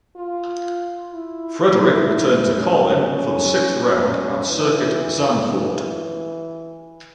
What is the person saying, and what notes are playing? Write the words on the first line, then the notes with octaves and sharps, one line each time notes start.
Frederick returned to Carlin for the sixth round at Circuit Zandvoort.
F4
E4
E4
C#4
C#4
C#4
E3
E3